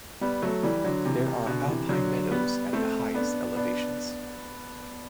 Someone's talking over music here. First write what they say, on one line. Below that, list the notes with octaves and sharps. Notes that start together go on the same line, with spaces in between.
There are alpine meadows at the highest elevations.
G3 B3
F#3 A3
E3 G3
D3 F#3
C3 E3
C3
B2 D3
C3 E3
D3 F#3
G3 B3
A3 C4
B3 D4
B3 D4